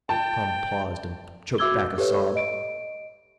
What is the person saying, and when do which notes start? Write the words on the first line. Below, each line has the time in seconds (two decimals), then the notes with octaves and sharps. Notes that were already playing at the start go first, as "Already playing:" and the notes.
Tom paused, and choked back a sob.
0.09 G5 A5
1.58 F#4 E5 D6 E6 G#6 G7
1.98 G4 A4 B4 C#5 E5
2.35 D#5 D7